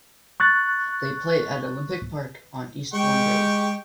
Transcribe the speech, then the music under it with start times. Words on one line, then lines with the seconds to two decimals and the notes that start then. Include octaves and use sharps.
They play at Olympic Park on Eastbourne Road.
0.40 C#6 F#6 A6
2.94 G#3 G4 G5 C#6